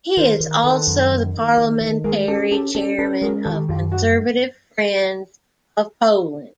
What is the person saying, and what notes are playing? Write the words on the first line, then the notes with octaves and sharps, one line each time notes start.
He is also the Parliamentary Chairman of Conservative Friends of Poland.
D#3 A#4 C5
D#3
D#3 A4 B4
F#2
D#3
D#3
D#3
D#3
G#3 G#4 A#4
C#4 G4 A4
C#4 G4 A4
C#4 G4 A4
C#4 A4 B4
G#3 G#4 A#4
D#3 G4 A4
F#2 F4 G4
G2 F#4